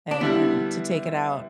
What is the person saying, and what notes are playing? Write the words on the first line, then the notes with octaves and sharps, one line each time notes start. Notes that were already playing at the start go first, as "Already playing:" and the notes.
and and to take it out,
D4
D3 G3 B3 E4